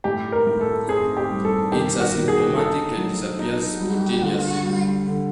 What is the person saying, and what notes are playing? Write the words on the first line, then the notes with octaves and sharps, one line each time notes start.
It’s asymptomatic and disappears spontaneously.
A2 G4
A#4
A2
A4
C4 G#4
G4
G3
A4
D#3 G4
F#4
D#3
G#4
D#4 A4
F#3
D#4
G3
D3
G3
D3